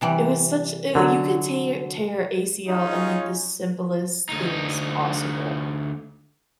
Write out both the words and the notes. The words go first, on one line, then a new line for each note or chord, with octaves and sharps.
it was such a a you could tear tare ACL and like the simplest things possible.
C3 E3 G3
D3 F#3
C#4 D#4 F4 G#4 C#5
D2 D#4